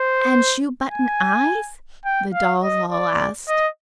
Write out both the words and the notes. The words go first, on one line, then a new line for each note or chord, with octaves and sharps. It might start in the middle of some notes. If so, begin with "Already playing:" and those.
"And shoe-button eyes?" the dolls all asked.
Already playing: C5
G#5
G5
F5
D#5
D5
D#5